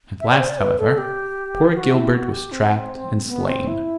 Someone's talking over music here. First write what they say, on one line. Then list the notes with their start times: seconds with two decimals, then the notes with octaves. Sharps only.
At last, however, poor Gilbert was trapped and slain.
0.20 E5
0.30 D5
0.40 C5
0.49 D5
0.59 B4
0.79 A4
0.98 G4
1.75 F#4
1.94 E4
2.13 F#4
2.32 G4
2.52 C4
3.28 B3
3.47 C4
3.67 E4